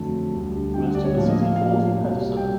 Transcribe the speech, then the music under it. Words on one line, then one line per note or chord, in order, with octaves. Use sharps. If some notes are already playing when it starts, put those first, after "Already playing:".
The rest of the city falls in Paterson.
Already playing: F2 D3 F#3 A3 A5
D2 D3 G3
D2 D3 G3 G5
F#5
D5
C#5
A2 F3 A#3
D#5
F5
A2 F3 A#3 F5
C2 B2 G3 A#3
B2 G3 A#3 G5